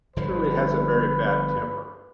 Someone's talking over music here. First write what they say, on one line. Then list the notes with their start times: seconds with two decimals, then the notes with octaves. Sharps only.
Shirley has a very bad temper.
0.16 G1 D3 F3 B4